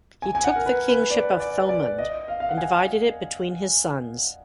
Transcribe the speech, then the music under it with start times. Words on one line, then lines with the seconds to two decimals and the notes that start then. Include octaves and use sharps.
He took the kingship of Thomond and divided it between his sons.
0.22 G#5
0.35 G#5
0.44 F#5
0.56 A#4
0.66 B4
0.89 B4
1.10 D5
1.40 D5
1.69 D5
1.99 D#5
2.28 F5
2.40 F5
2.49 F#5
2.58 G#5